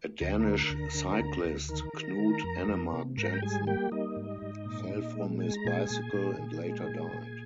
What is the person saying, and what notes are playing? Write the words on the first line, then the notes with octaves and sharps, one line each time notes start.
A Danish cyclist, Knud Enemark Jensen, fell from his bicycle and later died.
D2 A#5
D3 A#4 A#5
D2
D3
D2
D2
D#3 A#4 A#5
D#3
D#3
F2
F2
C3
G#2 A#4 A#5
G5
G3 G#4 G#5
A#3 G4 G5
G3 D#4 D#5
G#2
G#2
A#2
A#2
G#3
G#3 G#5
A#5
A#2 G#4 G#5
A#2
A#2
A#2
G#3
A#2
A#2